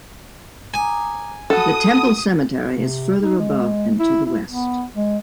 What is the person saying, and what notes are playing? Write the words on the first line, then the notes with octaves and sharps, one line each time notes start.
The temple cemetery is further above and to the west.
G#5 A#5 D6 D#6
F#4 A4 F#5 A5 B5 D#6
C3
D#4
G#3
E4
E4
B3
G#3